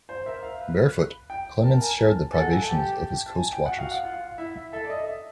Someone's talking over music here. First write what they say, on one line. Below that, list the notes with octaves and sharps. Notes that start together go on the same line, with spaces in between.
Barefoot, Clemens shared the privations of his coastwatchers.
C5
A#4 E5
F5
B4
G5
A#4 A5
G#5
A5
A4 G#5
F#5
G#5
A5
G4
A5
G#5
G5
F#4 F#5
F5
F#5
F4
E4 E5
A4 E5
D5
D#5
E5